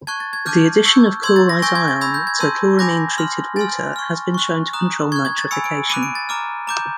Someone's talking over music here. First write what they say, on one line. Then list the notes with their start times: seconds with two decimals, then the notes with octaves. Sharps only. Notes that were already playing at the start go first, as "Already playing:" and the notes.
The addition of chlorite ion to chloramine-treated water has been shown to control nitrification.
0.07 A5 C#6 F#6 G#6
0.20 A6
0.33 G#6
0.46 A5 D6 F6 G6
0.85 C#6 E6 G6
1.23 C6 E6 G6 G#6
1.36 A6
1.49 A#6
1.62 G#5 C#6 E6 G6 A#6
1.75 G#6
1.88 A6
2.01 B5 E6 G6 G#6
2.14 G6
2.27 G#6
2.40 A5 C6 E6 G6
2.79 G#5 B5 D6 G6 A#6
3.18 C6 F6
3.56 G#5 C6 F6 A6
3.96 C#6 F6
4.34 C#6 F#6
4.73 A#5 D#6 F#6
5.12 C#6 G#6
5.16 F#6
5.25 G#6
5.38 A6
5.51 G#5 B5 E6 C#7
5.64 D7
5.89 B5 D6 F#6 D#7
6.03 D7
6.15 A6
6.29 A#5 D6 F6
6.67 A#5 D6 G6